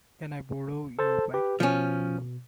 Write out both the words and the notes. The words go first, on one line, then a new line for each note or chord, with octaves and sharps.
Can I borrow your bike?
A4 C5 A5
G4 B4
B2 F3 C#4